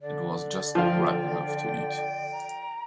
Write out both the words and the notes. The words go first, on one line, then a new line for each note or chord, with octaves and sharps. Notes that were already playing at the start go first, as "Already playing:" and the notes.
It was just ripe enough to eat.
D3 D5
F3 F4 G5
A#5